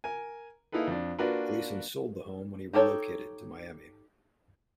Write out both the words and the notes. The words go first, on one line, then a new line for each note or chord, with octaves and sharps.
Gleason sold the home when he relocated to Miami.
A#4 G#5
A#3 D#4 E4 G#4 A4 B4
F2 D4
A#3 D4 F4 F#4 A#4 B4
D#4 G4 A4 C#5